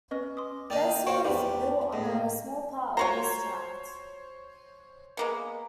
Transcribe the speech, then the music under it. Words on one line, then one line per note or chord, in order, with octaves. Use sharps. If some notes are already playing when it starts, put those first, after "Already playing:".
Basehor is built on a small part of this tract.
C#4 B4 D#5
C6 D6 D#6
D#3 A#3 D#4 D5 D#5
A#3 F#4 C5 C#5 D7
E2 D#3 G4 B4 C5 D5 C6
A2 G#3
F4 F#4 C5 C#5 A#5
G#3 A#3 B3